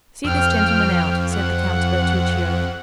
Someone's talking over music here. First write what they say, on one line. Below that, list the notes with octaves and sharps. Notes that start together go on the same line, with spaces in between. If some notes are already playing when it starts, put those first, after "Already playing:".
"See this gentleman out," said the count to Bertuccio.
F2 G5 F6
F#5